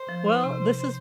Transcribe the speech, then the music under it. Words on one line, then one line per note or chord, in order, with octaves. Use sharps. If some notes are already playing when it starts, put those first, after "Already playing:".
Well, this has
Already playing: C5
F3
D#4
C3